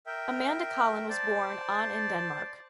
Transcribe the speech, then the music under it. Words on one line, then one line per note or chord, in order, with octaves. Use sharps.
Amanda Collin was born on in Denmark.
A#4 E5 G5
C5 D5 A5